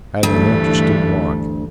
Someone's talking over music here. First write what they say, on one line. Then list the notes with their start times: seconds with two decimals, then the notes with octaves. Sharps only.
Had an interesting walk.
0.23 D2 G2 E3 A3